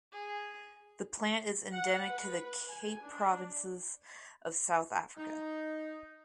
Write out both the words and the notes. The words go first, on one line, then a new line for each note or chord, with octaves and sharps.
The plant is endemic to the Cape Provinces of South Africa.
G#4
F#5
B4
G#5
D4
D#4